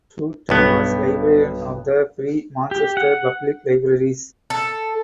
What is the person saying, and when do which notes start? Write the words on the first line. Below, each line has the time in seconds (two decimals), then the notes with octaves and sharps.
Sutton was librarian of the Free Manchester Public Libraries.
0.49 B1 G2 B3
2.71 G4
2.97 F#5
4.50 A4